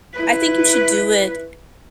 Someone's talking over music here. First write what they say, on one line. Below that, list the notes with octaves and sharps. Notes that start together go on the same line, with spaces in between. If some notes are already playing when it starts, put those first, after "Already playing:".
I think you should do it,
E4 B4